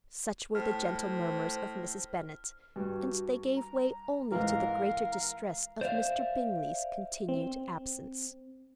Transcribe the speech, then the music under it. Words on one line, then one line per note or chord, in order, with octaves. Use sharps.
Such were the gentle murmurs of Mrs. Bennet, and they gave way only to the greater distress of Mr. Bingley's continued absence.
A2 C5 F6
G2 F#4
A#5
G#2 E3 A#4 F5
C5 D5 E5 F5
C4